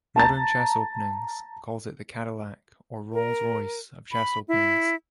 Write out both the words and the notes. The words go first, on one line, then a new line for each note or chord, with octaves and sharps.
"Modern Chess Openings" calls it the "Cadillac" or "Rolls Royce" of chess openings.
A5 A#5 A6
A#4
B5
E4